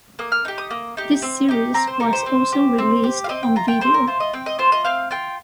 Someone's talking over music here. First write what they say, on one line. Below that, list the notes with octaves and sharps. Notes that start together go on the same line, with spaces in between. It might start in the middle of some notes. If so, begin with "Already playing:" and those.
This series was also released on video.
A#3 D#6
F6
D#4 G4
D#6
A#3
D#4 G4
C4
D#4 G4
C4 A#5
C5
D#4 G4 A#4
C5
C4
G4
C4
G4
F5
C4 D#5
G5
F4 A#5
G5
C4 C5
A#4
F4 C5
D#5
C4 G5
D#5
F4 C5
D#5
C4 F5
F4 G5